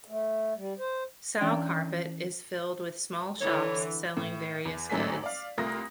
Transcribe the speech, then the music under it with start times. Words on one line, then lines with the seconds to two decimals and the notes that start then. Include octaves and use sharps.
Sowcarpet is filled with small shops selling various goods.
0.08 A3
0.57 G3
0.79 C5
1.41 E3 C#4 D4 D5 G5
3.41 D3 E3 C#5
4.17 A2
4.65 E2
4.90 A1 G#2 F#3 A3 G#5 B6
5.23 D5 F5
5.58 C2 A3 F4 A#4 D#6 A#6